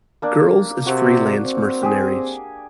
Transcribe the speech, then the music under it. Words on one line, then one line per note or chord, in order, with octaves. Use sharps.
Girls as freelance mercenaries.
A#3 D4
C3 F#4
C4
G4 G#4